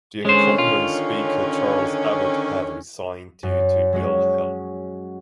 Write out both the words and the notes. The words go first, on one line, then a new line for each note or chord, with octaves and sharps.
The incumbent Speaker Charles Abbot had resigned due to ill health.
D3 D#3 G#3 C#4 C5
F4
F#2
F#3 G#3 C#4